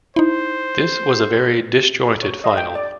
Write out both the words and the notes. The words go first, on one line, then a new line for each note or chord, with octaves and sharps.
This was a very dis-jointed final.
D#4 E4 C5
C#5
D#5
G5
D5